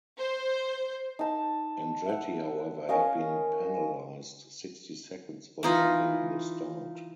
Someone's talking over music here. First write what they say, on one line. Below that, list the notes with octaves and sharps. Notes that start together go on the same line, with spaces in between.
Andretti however had been penalised sixty seconds for jumping the start.
C5
D#4 A5
E5 F#5
C#4 A#4 D#5 F5
E3 D#4 F4